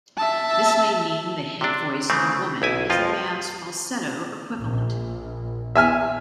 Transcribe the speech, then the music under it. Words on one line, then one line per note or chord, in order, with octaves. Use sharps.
This may mean the head voice of a woman is a man's falsetto equivalent.
E5 A5
C3 D4
C#3 E3 A3 C4
B1 E4 G#5
F2 F3 F4 D#5
A#1
E5 G#5 F6